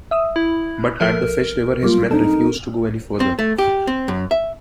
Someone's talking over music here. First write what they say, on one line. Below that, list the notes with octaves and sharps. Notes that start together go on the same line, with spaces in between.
But at the Fish River his men refused to go any further.
E5 D#6 E6
E4
F3 A4 A#4
F#3 G3 A#3 F4
C4 D4 D#4 A4
C4
A3
G4
C4
F#2
E5